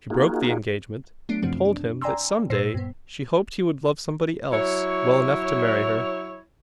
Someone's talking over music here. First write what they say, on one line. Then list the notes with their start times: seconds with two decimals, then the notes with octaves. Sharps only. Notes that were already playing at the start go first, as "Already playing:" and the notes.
She broke the engagement, and told him that some day she hoped he would love somebody else well enough to marry her.
0.10 A#3 D#4 F4 F#4 G#4
1.29 F#3 A3 B3 D4 C7 D7
1.43 F#2 C3 F3 C4
1.65 D4
2.02 D5 G5 G#5 A#5 C6 E6
2.50 A#2 C5 E6 A#6 C7
2.74 G2 B3
4.52 F#3 E4 C#5